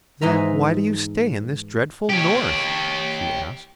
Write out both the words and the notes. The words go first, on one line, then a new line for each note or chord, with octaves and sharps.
"Then why do you stay in this dreadful North?" she asked.
G#2 E3 D#4 E5 A#5
G4 C#5